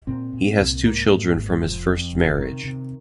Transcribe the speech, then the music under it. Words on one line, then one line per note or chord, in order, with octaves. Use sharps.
He has two children from his first marriage.
A#2 C4
A#2
C2
G#2 A#3
G#2
G#1
G#3
F1 F3
F2
F1
C3 D#3
C3